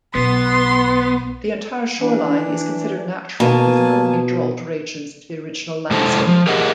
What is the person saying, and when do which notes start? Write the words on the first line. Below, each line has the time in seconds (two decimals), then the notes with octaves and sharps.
The entire shoreline is considered natural with no major alterations to the original landscape.
0.15 B1 B3 C6
1.99 E3 D4
3.40 B2 A#3 G#5 A5
5.91 C3 G#3 E4 A4 C5 A5
6.27 F3
6.47 G4 G#4 A#4 D#5 F#5